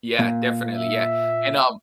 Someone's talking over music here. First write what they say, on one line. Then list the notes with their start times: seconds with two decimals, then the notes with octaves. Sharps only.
Yeah, definitely, yeah, and, um
0.19 A#2
0.71 E5